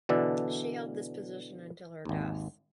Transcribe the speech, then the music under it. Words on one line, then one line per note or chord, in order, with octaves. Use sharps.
She held this position until her death.
B2 D3 E3 D4 A4
G#1 D#2